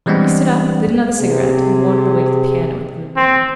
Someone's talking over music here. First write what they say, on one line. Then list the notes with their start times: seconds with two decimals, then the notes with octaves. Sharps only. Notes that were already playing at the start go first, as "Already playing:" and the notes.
He stood up, lit another cigarette, and wandered away to the piano in the room beyond.
0.06 E3 G3 G#3 B3 C4 D4
1.19 C3 G#4
3.16 C4